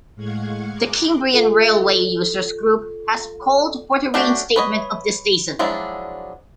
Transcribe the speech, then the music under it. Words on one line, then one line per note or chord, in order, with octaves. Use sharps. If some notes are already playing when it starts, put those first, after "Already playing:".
The Cambrian railway users group has called for the reinstatement of this station.
A2 G#3 F5 F#5 C#6 G#6
G#4 A#5 C6 D6 F#6
F4 A4
A3 C#4 D4 F#4 G4
B4 C#5 D#5
F3 F#3 G#3 D4 E4